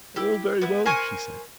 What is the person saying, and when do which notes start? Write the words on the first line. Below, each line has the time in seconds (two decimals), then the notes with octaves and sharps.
"All very well," she said.
0.16 E4 G4
0.61 B3 E4
0.86 A#4 C5 G#5 C#6